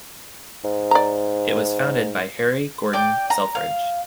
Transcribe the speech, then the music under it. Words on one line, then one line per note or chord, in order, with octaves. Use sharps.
It was founded by Harry Gordon Selfridge.
G#2
D5 A#5
D5 G5 D6
A#5
F5